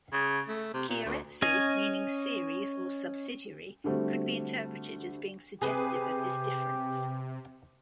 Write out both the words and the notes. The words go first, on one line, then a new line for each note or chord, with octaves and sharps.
Keiretsu, meaning "series" or "subsidiary", could be interpreted as being suggestive of this difference.
C#3
A3
C3
A#2
D2
C#4 D#5 G#5
D3 G3 A3 C4 F#4
C3 G4 G#4 B4